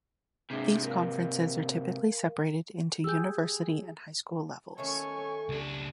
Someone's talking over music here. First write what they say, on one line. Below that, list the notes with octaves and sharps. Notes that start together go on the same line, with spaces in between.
These conferences are typically separated into university and high school levels.
G#2 C3 D4 G#4 E5
A#4 F5
G4 G#4 E6 G6
D#3 A3 C#4 A4 C#5 G#5 C#6
C#2 D4 G4